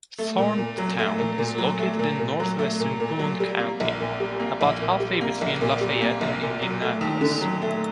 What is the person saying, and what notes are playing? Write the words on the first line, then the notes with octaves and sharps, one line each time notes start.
Thorntown is located in northwestern Boone County, about halfway between Lafayette and Indianapolis.
A3
A#2
A#2
F#3
A3
A#2
A#2
F#3
A3
A#2
A#2
F#3
A3
A#2
A#2
F#3
G3
A#3
A#1
A#2
G3
A#3
A#1
A#2
G3
A#3
A#1
A#2
G3
A#3
A#1
A#2
F#3
A3
D#2
D3
F#3
A3